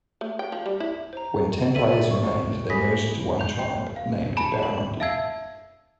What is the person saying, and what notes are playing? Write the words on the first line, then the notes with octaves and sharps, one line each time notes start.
When ten players remained, they merged into one tribe, named Barramundi.
A3
G5
F3
G3
E4
C5 A#5
A4 D5 E5 D#7 F#7
C#6
G4 G#5 B5 D#6 A#6 B6
G6 F7
G5
F5
G#5 A5 B5
E7 F#7
E5 F5 A5 E6 G#6 C7